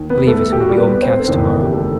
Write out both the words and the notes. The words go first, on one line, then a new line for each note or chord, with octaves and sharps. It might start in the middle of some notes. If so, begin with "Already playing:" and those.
I believe it will be overcast to-morrow.
Already playing: D#2 D#3
B3 B4
A3 A4
G4
F#4
G3 G4
B3 B4
C4 C5
A4
F#1 E2 D#3 B3 B4
A4
G4
A3 A4